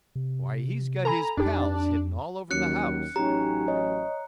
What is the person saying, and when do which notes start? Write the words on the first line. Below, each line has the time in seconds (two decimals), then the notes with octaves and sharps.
"Why he's got his pals hidden all over the house."
0.15 C3
1.05 A4 G#5 A#5 B5
1.37 F2 D4 D#4 G4
2.51 D#2 F#3 C#4 F#6 C#7
3.16 A1 F#3 C#4 D#4 G4 A#5
3.68 C#5 D#5